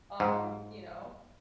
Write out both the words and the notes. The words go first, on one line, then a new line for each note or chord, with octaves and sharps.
um, you know?
G#2